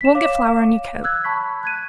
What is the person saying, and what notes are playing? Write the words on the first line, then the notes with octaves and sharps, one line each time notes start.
I won't get flour on your coat.
B6 E7
C#5 F5 D6
E6 F#6 G#6
A5 B5 C#6 B6
F#6 G#6 D#7